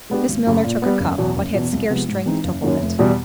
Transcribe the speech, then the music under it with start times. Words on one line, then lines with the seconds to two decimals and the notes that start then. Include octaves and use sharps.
Miss Milner took a cup, but had scarce strength to hold it.
0.10 G#3 B3 D4 G4
0.28 G#1
0.47 F#2 C#3
0.64 A#2
0.82 G3 B3
1.00 F#1
1.18 E2 B2 F#3
1.36 F#1
1.54 E2 B2
1.73 C2
1.90 C3 F3 G#3 B3
2.08 G#2
2.26 E3 G#3 C4 D#4
2.44 F#1
2.62 F#2 D#3 F#3 A#3
2.80 F1
2.99 E2 B2 G3